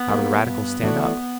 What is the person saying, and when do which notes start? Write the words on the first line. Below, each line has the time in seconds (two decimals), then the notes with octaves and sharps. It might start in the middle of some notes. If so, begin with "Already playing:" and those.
"How do the radicals stand up?"
Already playing: B3
0.09 G3 A#3
0.46 G2
0.82 E3 A3 D4 F#4